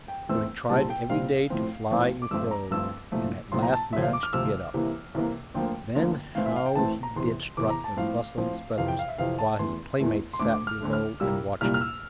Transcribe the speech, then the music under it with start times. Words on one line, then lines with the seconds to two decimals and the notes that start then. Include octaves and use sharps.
So he tried every day to fly and crow, and at last managed to get up; then how he did strut and rustle his feathers, while his playmates sat below and watched him.
0.08 G5
0.28 E2 E3 A3 C4 E6
0.69 C2 A#2 G3 C4 A5
0.90 G5
1.09 C2 A#2 G3 C4 F5
1.50 A2 F3 A3 C4
1.91 A2 F3 A3 C4
2.22 D6
2.31 G2 F3 A3 C4 E6
2.51 A#5
2.71 G2 F3 A3 C4 E6
3.12 C2 A#2 F3 A3
3.52 C2 A#2 F3 A3 C6
3.62 A#5
3.72 A5
3.93 D2 C3 F3 E5
4.02 F5
4.13 D6
4.23 F6
4.33 D2 C3 F3 E6
4.74 C2 C3 E3 A#3
5.14 C2 C3 E3 A#3
5.54 D2 D3 F3 A#3 G5
5.95 D2 D3 F3 A#3
6.35 A2 E3 A3 C4 F5
6.46 E5
6.56 F5
6.66 G5
6.75 A2 E3 A3 C4 A5
7.03 A#5
7.16 E2 C3 E3 C6
7.57 E2 C3 E3 D6
7.70 A#5
7.84 A5
7.97 A2 F3 C4 F5
8.38 A2 F3 C4
8.78 F2 C3 E3 F5
8.88 G5
8.99 F5
9.08 E5
9.18 F2 C3 E3 F5
9.39 A5
9.59 E2 E3 A3 C6
10.00 E2 E3 A3
10.33 C6
10.39 D2 D3 A3 D6
10.53 D6
10.67 F6
10.80 D2 D3 A3
10.93 F6
11.20 C2 A#2 G3 A#3 E6
11.61 C2 A#2 G3 A#3 F6
11.74 F6
11.81 E6